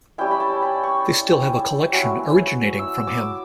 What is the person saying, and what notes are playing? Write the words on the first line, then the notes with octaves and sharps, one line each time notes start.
They still have a collection originating from him.
G3 C#4 E4 G5
B5
A5
B5
C#6
F#3 C#4 E4
E6
D6